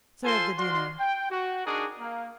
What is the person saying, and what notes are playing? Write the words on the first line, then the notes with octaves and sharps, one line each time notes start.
"Serve the dinner."
F4 A4 C5 G#5 C6
F#4 D5 F5 C6
G5
F#4
D4 D#4 F#4 G#4 A#4 D5
A#3